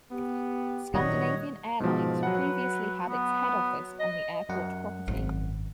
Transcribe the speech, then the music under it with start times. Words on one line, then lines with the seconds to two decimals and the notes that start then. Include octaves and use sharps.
Scandinavian Airlines previously had its head office on the airport property.
0.11 B3 G4
0.94 A#2 D#3 F#3 G3 C#5 D#5 F#5
1.80 G#2 B2 F3
2.23 F#3 B4 F#5
3.08 B3
4.00 D#5
4.49 F#2 F#5
5.08 G#1